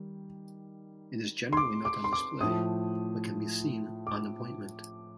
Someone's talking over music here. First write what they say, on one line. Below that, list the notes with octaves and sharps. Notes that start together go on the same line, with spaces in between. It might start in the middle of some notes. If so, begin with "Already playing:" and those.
It is generally not on display, but can be seen on appointment.
Already playing: D#3 G3
C6
D6
D6
C6
D6
A2 F3 A3 D#6
D6